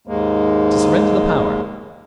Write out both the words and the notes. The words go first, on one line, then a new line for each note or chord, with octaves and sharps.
To surrender the power.
D#2 G#2 G#3 A#3